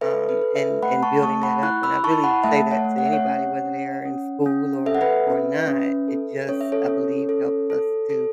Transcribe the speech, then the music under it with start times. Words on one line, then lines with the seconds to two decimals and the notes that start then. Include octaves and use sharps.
Um, and and building that up. And I really say that to anybody whether they are in school or or not. It just, I believe, helps us to
0.01 A4 B4 E5
0.29 B4
0.42 A4
0.55 B4 E5
0.82 A3 F#5 B5
1.03 A5 C#6
1.23 A3 A5 C#6
1.43 F#5 B5
1.63 E4 C#6 F#6
1.83 B5 E6
2.04 E4 A5 C#6
2.24 F#5 B5
2.44 A3 E5 A5
2.71 C#5 F#5
2.84 A3
2.98 F#5
3.06 E5
3.13 C#5 F#5
3.25 C#4
3.65 C#4
4.05 C#4
4.46 C#4
4.86 A4 E5
4.95 F#5
5.01 B4 E5
5.27 C#4
5.68 C#4
6.08 A4
6.49 C#4 C#5
6.61 E5
6.72 A4 C#5
6.89 C#4
7.29 A4
7.70 A4
8.10 A4